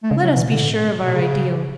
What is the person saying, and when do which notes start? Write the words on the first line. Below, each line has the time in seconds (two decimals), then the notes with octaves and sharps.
Let us be sure of our ideal.
0.03 A3
0.11 C#3 G#3
0.24 F#3
0.36 B2 E3
0.49 D3
0.63 A2
1.05 B2
1.15 C#3